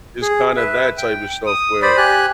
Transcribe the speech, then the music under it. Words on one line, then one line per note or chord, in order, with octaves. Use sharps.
just kinda that type of stuff where
G#4
B4 E5
G5
D#6
C5 D5 B5
G4 G#5 F#6